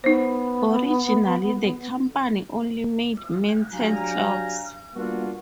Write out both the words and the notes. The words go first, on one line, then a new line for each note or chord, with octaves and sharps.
Originally the company only made mantel clocks.
B3 D#4 C5
F#3 D4 G4 F5 G#5 A#5
G3 A#3 B3 D4 F4 F#4